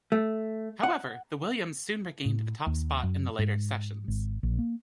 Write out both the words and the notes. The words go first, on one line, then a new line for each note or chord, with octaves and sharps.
However, the Williams soon regained the top spot in the later sessions.
A3
F#5
A2
D#2
F#2
G#2
G#1
A#1
A#3